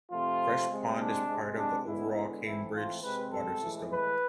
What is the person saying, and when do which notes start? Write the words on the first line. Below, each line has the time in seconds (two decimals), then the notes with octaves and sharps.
Fresh Pond is part of the overall Cambridge water system.
0.11 C3 F3 A3 C4 F4
0.69 C3 G#3 C4
0.98 D4
1.27 C3 G#3 C4
1.57 D4
1.86 D3 G#3 B3 E4
2.44 E3 A3 C4 E4
2.73 F4
3.03 C3 G#3 C4 B4
3.32 A4
3.61 A2 E3 G#3
3.90 B4